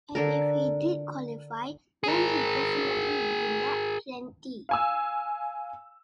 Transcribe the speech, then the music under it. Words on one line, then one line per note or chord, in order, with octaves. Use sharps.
And if he did qualify, then he'd definitely be lapped plenty.
D3 A4 A#4
G#4 A#4
F5 G#5 E6